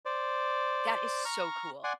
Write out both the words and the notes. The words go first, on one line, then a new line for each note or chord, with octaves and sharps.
That is so cool.
C5 D5
A#5 C#6 F6
D5 F#5 G#5 C6 D6